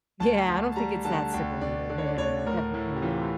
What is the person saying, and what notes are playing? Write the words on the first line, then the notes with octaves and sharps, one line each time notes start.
Yeah, I don't think it's that simple either. No, no, no, no, definitely not.
D2 A5
D2
A5
G3 A#5
D3 A5
D2 G5
D2 D5
D3 D5
C#5
D5
D2 C#5
A2 A#4
A2 E4
G4
E3 F4